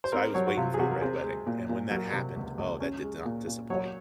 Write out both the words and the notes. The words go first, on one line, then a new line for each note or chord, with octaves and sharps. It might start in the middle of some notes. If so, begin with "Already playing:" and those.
so, I was waiting for the Red Wedding, and when that happened, oh, that did not disappoint.
C5
C4 A#4
F#3 C#5
F#4
C3 F4
G#4
C3 F#4
A#4
C4 G#4
G#3
A#2
A#2
F#3 A#4
C3
C#2
C#2
C#4
G#3
A#2
A#2
F#3 C#5